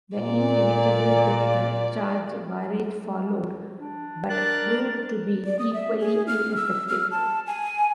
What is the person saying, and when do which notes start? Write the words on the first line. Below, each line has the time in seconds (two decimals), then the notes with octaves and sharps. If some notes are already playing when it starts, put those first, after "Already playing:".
The inevitable depth charge barrage followed, but proved to be equally ineffective.
0.17 A#2 D5
3.78 D4
4.29 D4 A#4 F#6 A6
5.46 D5
5.59 D#6
5.73 E5
6.00 G#4
6.27 F6
6.57 E6
6.88 F6
7.11 A5
7.47 G#5